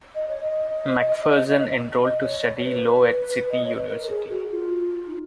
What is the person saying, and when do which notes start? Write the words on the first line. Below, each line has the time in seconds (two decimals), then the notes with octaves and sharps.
Macpherson enrolled to study law at Sydney University.
0.15 D#5
0.28 C#5
0.41 D#5
2.02 D#5
2.23 C#5
2.43 C#5
2.60 C#5
2.64 B4
3.51 D#5
3.64 C#5
3.76 B4
3.88 A#4
4.04 A#4
4.09 G#4
4.30 F#4
4.51 F4
5.06 D#4